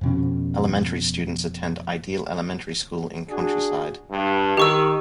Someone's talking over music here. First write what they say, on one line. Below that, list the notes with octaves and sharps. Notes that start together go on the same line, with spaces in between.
Elementary students attend Ideal Elementary School in Countryside.
F2 B2 C#4
D4 F#4 G#4
G2
D#3 G4 C#6 E6